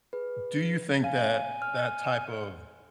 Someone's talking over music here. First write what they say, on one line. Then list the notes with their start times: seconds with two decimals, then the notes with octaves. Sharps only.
do you think that that type of
0.13 G#4 B4
1.04 F5 G#5
1.62 F6